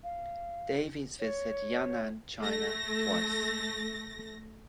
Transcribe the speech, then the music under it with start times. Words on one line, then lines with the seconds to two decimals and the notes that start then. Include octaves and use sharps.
Davies visited Yan'an, China, twice.
0.03 F5
1.19 C#5
2.41 A3 A#6